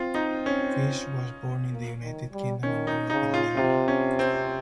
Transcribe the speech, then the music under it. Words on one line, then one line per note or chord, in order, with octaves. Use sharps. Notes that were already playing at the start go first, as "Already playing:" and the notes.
Fish was born in the United Kingdom and grew up in London.
Already playing: C4 F4
D#4
C#4
A#3
D#3
G3
D#3 C#4
D#4
C#3 D#4
F4
C3 F4
C#4
C4